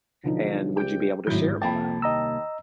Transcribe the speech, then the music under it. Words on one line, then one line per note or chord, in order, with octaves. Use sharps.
And would you be able to share about that?
B1 D3 F3 D#4
C#2 G4 G5
G#1 A2 D#3 F#3 E4 G6
C2 F2 A#3 G5 A5 B5
D#2 D#5 A#5 E6